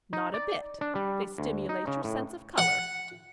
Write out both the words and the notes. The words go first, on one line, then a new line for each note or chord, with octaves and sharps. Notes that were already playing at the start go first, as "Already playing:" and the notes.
"Not a bit: they stimulate your sense of colour."
D#4
D5
D4
G3
D2
D#4
C#3
A2
F#5